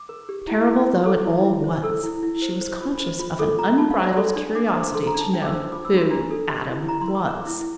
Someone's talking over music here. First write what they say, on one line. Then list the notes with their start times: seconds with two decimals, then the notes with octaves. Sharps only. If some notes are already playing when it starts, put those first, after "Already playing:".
Terrible though it all was, she was conscious of an unbridled curiosity to know who Adam was.
Already playing: D6
0.09 A#4
0.29 G4
0.47 E4
0.67 E4
0.86 C5
1.06 A4 D6
1.25 E4
1.44 E4
1.64 C5
1.84 A4 E6
2.04 E4
2.23 E4
2.42 C5
2.61 C5
2.81 F4
3.00 C5
3.19 F4
3.39 A4 D6
3.58 F4 A#5
3.78 F4 A5
3.91 F5
3.97 C5
4.03 D5
4.17 A4 C6
4.36 D4
4.55 D4 D6
4.69 D6
4.75 C5
4.82 D6
4.95 A4 C6
5.07 A#5
5.14 D4
5.20 A5
5.33 D4 G5
5.42 D6
5.46 E6
5.52 C5
5.72 F4 D6
5.85 E6
5.92 D4
5.98 C6
6.11 D4 A#5
6.31 A4
6.49 G4
6.69 E4
6.88 E4 A#5
7.01 C6
7.08 A#4
7.15 D6
7.27 A#4 D6
7.47 E4